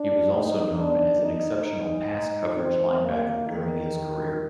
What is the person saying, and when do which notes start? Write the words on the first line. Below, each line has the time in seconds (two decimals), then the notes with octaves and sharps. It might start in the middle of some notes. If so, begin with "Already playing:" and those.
He was also known as an exceptional pass-coverage linebacker during his career.
Already playing: D4
0.31 D#4
0.76 D4
1.22 D#4
1.67 D#4
2.57 C4
3.02 A#3
3.47 D#3